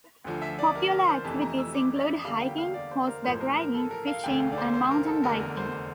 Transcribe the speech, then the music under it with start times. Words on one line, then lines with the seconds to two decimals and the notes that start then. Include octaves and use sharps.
Popular activities include hiking, horseback riding, fishing and mountain biking.
0.24 D2 D3 F3
0.42 E5
0.59 D5
0.75 A#4
0.91 A#4
1.08 C5
1.24 F2 C3 E3 A3 A5
1.42 A#5
1.59 E6
1.75 D6
1.95 D5
2.00 E5
2.25 E2 D3 G3 A#3 F5
2.41 G5
2.58 F5
2.74 D5
2.91 C5
3.07 A#4
3.24 A1 A2 F3 A#3 C5
3.41 A#4
3.57 A#4
3.74 A4
3.91 A#4
4.07 F5
4.24 E1 D2 D3 A3 G5
4.40 F5
4.52 D5
4.58 C5
4.74 C5
4.91 A#4
5.07 A4
5.23 F1 E2 D3 A3 A#4
5.41 A#4
5.57 C5